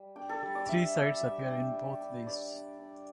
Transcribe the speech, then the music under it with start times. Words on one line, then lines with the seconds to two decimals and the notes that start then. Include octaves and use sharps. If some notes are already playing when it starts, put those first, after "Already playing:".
Three sites appear in both lists.
Already playing: G3
0.16 D4 G5
0.29 A4
0.43 G3
0.55 D5
0.68 D4 E5
0.95 D4 E5
1.21 G3 E5
1.39 G5
1.47 D4
1.73 G3
2.00 D4
2.26 D4 D5
2.53 D4
2.78 D4